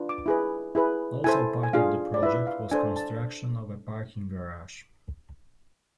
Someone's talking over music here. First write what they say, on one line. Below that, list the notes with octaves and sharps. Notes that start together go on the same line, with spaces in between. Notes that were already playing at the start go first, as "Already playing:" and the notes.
Also part of the project was construction of a parking garage.
Already playing: D4 F4 B4
D6
E4 G#4 B4
E4 G#4 B4
E4 A4 C5 G#5
G#5
D4 F4 G#4 F5
D5
E4 B4 E5
F5
D4 A4 C5 G#5
A5